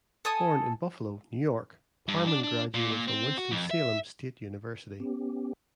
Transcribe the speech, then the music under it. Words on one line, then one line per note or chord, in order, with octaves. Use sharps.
Born in Buffalo, New York, Parmon graduated from Winston-Salem State University.
A4 G#5 D#6
G2
D4
D4
A#2
A#2
C4
F#4
F2
E5
B3 C#4 G4